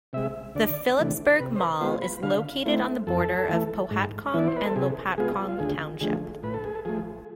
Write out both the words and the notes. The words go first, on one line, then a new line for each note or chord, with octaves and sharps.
The Phillipsburg Mall is located on the border of Pohatcong and Lopatcong Township.
C3 G#3 E5
D2 D5
C3 E3 A3 D4
C3 B4
C5
B4
G#3 B3 F4 C5
B5
D3 F5
A3 C4 E4
F2 A4
E3 A3
G#2
E3 B3 E4 D5
C5
B4
A4
C3 G#4
G#3 B3 F4 G#4
F4
D2 G#4
D3 F3 A3 G#4
A2 B4
A4
G#4
A4
F3 A3 G#4